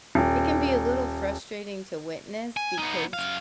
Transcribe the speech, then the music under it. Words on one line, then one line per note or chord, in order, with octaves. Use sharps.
it can be a little frustrating to witness because,
D#1
G#5
B3 D#4
F#2 F5